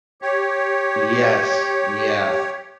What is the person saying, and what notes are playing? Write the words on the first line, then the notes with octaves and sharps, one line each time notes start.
Yes. Yeah.
G4 C#5